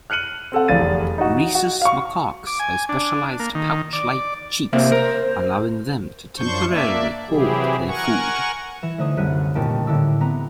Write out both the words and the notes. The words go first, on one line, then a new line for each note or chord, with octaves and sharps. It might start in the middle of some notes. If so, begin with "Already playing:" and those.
Rhesus macaques have specialized pouch-like cheeks, allowing them to temporarily hoard their food.
F6 F#6 C#7 D#7 F#7
C4 A4 F#5
F1 E2 F5 A6 D#7
D#4 F#4
F#4
F5 C#6
D6
G#5
D4
A#3
D#3
D5
C3 A#3 C5 E5
A#4
F#2 F3 D4 C5 C#6 G6
A#3 D4 D5 E5
C3 E3 F#3 E4 G4 G#4
A#4 F#5 G#5 C#6
E3 E7
D3 A3 D#4 C5 D#6
C2 F#2 D3 F#6 B6 D#7
D#2 A#2 C#4 G4 G5 A5
A2 D3 D4 E4 D6 E6
B3 C4 A#5